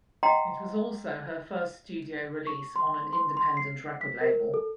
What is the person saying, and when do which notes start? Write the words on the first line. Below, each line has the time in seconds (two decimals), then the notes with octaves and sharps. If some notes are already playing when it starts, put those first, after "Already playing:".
It was also her first studio release on an independent record label.
0.23 D#5 F#5 G5 A#5 C6
2.47 C#6
2.76 C6
3.13 C6
3.37 C6
3.57 C7
4.01 B6
4.21 A#4
4.54 A4